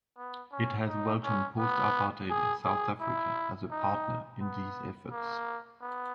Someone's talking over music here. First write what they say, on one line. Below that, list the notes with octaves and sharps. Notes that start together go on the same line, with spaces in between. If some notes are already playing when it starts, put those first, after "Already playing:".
It has welcomed post-apartheid South Africa as a partner in these efforts.
B3
C#4
D#4
C#4
B3
G#4
G#4
E4
D#4
B3
A#3
B3